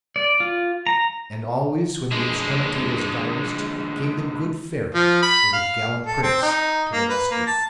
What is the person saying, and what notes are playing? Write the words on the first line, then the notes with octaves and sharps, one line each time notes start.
And always when the extremity was direst came the good fairy or the gallant prince to the rescue.
D5
F4
A#5
D3 G#3
F3
B5
F5
A4
C4
D#4
A#3
B4
A#3
A5